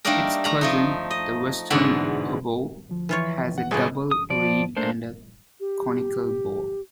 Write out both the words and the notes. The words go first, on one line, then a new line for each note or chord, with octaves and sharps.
Its cousin, the Western oboe, has a double reed and a conical bore.
G3 A3 A#3 D4 D#4 A#4
A3 A#5 B5
F3 A3 D#4
D#5
E2 G#2 B2 D3 E5 F#5
D2 F3
E3 F4 C#5
F#5
G1 C#2 B2 G#4 E5
D#6
F3 D5
A3 A#3 D4 C5
G4